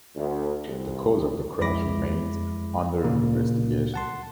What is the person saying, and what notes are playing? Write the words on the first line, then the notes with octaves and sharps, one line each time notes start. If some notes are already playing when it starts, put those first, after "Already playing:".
The cause of the crash remains under investigation.
D2
C2
F2 G#3 E4 B5 D6 A#6
A#2 C#3 A#3
F#5 A5 C6